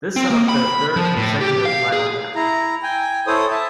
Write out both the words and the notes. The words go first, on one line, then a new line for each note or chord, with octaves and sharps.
This set up their third consecutive final match.
C4
A#3
B5
F3
A2
G4
F5
G#4
E4 A#5
G5 G#5
E4 A4 C5 C#5 D#6
E5 A5